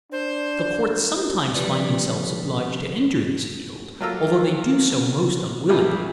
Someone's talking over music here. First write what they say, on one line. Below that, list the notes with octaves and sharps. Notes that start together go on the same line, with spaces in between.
The courts sometimes find themselves obliged to enter this field, although they do so most unwillingly.
D4 C5
D3 F3 G3 B4 D5
F#3 A#3 F4 A4 A#5 E6
A#1 E2 G2 E3